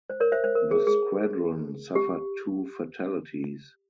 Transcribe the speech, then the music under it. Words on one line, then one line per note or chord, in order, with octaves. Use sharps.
The Squadron suffered two fatalities.
C5
A#4 C#5
C5 E5
C5
A#4
G#4
G#4
G4